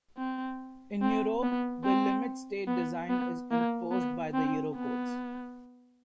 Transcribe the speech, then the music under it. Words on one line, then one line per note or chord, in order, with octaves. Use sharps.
In Europe, the Limit State Design is enforced by the Eurocodes.
C4
C4
B3
C4
B3
B3
A#3
B3
C4
B3